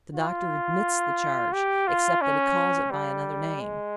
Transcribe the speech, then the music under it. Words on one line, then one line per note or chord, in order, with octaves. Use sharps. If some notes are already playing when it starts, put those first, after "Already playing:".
The doctor admits the charge, except that he calls it by another name.
F4
G4
F4
C#4
G3
G#3